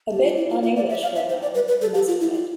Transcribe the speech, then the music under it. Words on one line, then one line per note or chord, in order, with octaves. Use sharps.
A bit un-English, old man, you must admit.
G4
F4
E4
F4
F4
D5
E5
F5
E5
C5
D5
B4
B4
A4
G4
F4
E4
F4